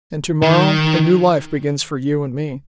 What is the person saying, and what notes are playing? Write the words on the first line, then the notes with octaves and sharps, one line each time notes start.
"And to-morrow a new life begins for you and me."
D#3